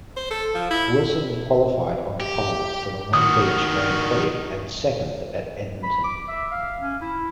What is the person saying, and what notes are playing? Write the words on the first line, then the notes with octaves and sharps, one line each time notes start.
Wilson qualified on pole for the Long Beach Grand Prix and second at Edmonton.
C5
A4
F3
E4
G4
D#3 F#4 D#6
B5
D6
E5
F5
C#4
E4